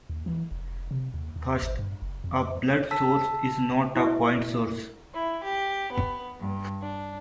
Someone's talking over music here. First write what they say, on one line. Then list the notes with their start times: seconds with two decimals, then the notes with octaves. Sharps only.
First, a blood source is not a point source.
0.10 D#2
0.26 E3
0.51 F1
0.91 C3
1.14 D#2
1.36 D#2
1.62 G#1
1.79 G2
2.02 F#1
2.24 F2
2.91 A5 E6 B6
3.95 E4 F#4 E5 C#6
5.12 E4
5.42 G4
5.91 B3
6.42 G2
6.82 D4